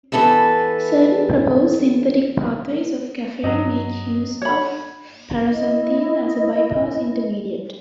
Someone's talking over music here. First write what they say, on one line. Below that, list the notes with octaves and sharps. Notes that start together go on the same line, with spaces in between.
Certain proposed synthetic pathways of caffeine make use of paraxanthine as a bypass intermediate.
E2 B3 A4 B4 E5
G2 F#3 D#5
C#5 B5
E4 D#5